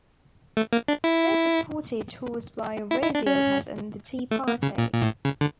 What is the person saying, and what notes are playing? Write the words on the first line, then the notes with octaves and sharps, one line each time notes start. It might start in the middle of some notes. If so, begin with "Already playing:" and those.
They supported tours by Radiohead and The Tea Party.
A3
A#3
D4
E4
E4
E4
D4
C#4
A3
A#3
C#3
A#2
A#2
A2
C#3
D3